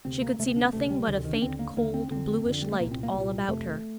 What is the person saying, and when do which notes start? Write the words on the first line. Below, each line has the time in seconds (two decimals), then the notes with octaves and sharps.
She could see nothing but a faint cold bluish light all about her.
0.05 D2 C3 C4
0.22 A#3
0.39 D2 C3 A3
0.48 C4
0.56 D4
0.65 C4
0.73 D2 C3 A3
0.90 G3
1.07 D2 C3 D#3
1.17 D3
1.25 D#3
1.33 D4
1.42 D#2 D3 C4
1.59 A#3
1.77 D#2 D3 A#3
1.94 C4
2.11 F2 D3 C4
2.46 F2 D3
2.62 G3
2.72 A3
2.80 C2 A#2 A#3
2.91 C4
3.03 A#3
3.14 C2 A#2 G3
3.48 F2 C3 A3